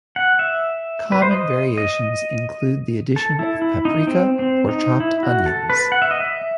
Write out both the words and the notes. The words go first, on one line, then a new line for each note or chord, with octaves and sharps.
Common variations include the addition of paprika or chopped onions.
F#5
E5
B4
C5
D#5
D#5
A4
E4
E4
D#4
C4
C4
D#4
E4
F#4
A4
B4
F#5
E5
D#5
E5